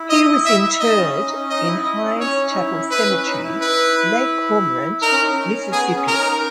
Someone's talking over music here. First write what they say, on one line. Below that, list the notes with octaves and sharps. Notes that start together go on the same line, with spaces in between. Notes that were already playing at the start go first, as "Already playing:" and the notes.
He was interred in Hinds Chapel Cemetery, Lake Cormorant, Mississippi.
Already playing: E4
D#5
E5
D#4 D#5
C#4
D#4
C#4
D#4 D#5
E4
E4
C#4
D#4
C#4 C#5
D#4
E4
E4 B4
C#4
D#4
E4
B4
D#4 A#4
C#4
D#4
C#4
B3 G#4
C#4
A#4
D#4